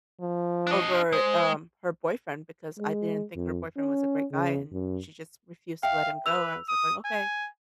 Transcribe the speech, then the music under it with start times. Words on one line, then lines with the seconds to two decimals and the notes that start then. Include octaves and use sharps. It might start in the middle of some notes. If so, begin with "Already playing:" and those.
over, um, her boyfriend because I didn't think her boyfriend was a great guy, and she just refused to let him go. I was like going, "Okay"
0.21 F3
0.67 D4 D#5
1.13 G#3 C5
2.78 G#3
3.36 F2
3.76 C#4
4.32 C#3
4.72 F#2
5.83 E5 F5 G5
6.26 B4 E6 F7
6.68 D#6
7.05 G#5